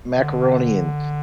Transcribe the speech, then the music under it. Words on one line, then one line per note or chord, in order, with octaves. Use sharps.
macaroni and
D3